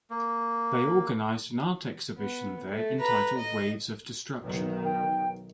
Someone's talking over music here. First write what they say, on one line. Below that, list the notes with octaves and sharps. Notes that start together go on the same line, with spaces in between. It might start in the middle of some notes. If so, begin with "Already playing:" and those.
They organised an art exhibition there entitled Waves Of Destruction...
A#3
B3
A3
B4 A#5
D#5
B1 D#3
G5